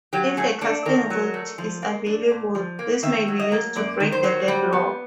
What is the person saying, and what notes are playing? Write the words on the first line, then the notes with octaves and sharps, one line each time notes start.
If a casting vote is available, this may be used to break the deadlock.
F#3 G4
A3 G#4
D4 A4
D#3 A#4
F#3
A3
F3
A#3
D4
A#2
F3
A#3
D#3 E5
F#3
D#5
A#3
F#2 D5
D#3
C5
F#3
G3
B3